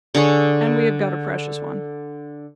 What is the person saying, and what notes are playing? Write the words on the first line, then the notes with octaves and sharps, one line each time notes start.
And we have got a precious one.'
D3 D4 G#4 C#5